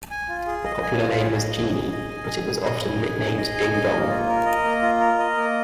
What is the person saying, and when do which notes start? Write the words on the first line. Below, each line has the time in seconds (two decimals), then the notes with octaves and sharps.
The popular name was "Genie", but it was often nicknamed "Ding-Dong".
0.11 G#5
0.29 F4
0.47 G#4
0.65 D#5
0.83 G#5
1.01 F4
1.19 G#4
1.37 D#5
1.56 G#4
1.73 G#4
1.92 D#5
2.10 G#5
2.28 G#4
2.46 G#4
2.65 D#5
2.83 G#5
3.01 G#4
3.19 G#4
3.37 D#5
3.55 G#5
3.73 D#5
3.91 A#3
4.09 F4
4.28 A#4
4.46 D#5
4.64 A#3
4.82 F4
5.00 A#4
5.19 D#5
5.37 A#3